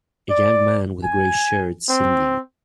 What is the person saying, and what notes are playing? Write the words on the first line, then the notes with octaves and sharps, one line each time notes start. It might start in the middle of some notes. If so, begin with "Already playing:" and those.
A young man with a gray shirt singing.
D5
G#5
C4